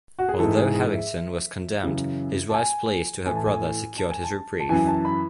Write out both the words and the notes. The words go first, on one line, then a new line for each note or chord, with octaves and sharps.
Although Habington was condemned, his wife's pleas to her brother secured his reprieve.
F#4
G#4
G#2 E3 A4
G#4
G#4
E5
F#2 C#3 E3
A5
G#5
A2 E3 G#5
A5
G#5
A5
G#5
A5
A5
F#2 E3 G#5
A5
B5